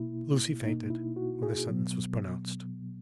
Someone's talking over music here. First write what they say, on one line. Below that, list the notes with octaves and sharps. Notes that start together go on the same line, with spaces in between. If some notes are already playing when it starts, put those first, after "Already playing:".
Lucie fainted when the sentence was pronounced.
Already playing: B2 A#3 E4
B2 A#3 D#4
E4
F#4
G#4
B2 F#3 B3